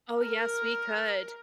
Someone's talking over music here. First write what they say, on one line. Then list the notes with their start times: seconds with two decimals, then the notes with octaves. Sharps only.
Oh, yes, we could.
0.19 A#4